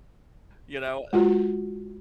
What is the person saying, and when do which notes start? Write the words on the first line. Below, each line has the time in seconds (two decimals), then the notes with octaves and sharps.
you know, uh
1.13 G#3 F4 F#4